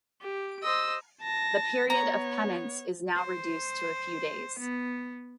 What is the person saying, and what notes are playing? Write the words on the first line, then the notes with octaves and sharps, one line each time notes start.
The period of penance is now reduced to a few days.
G4
C5 D#5 E6
A5 A#6
B3 C#5 A#5
C5
B3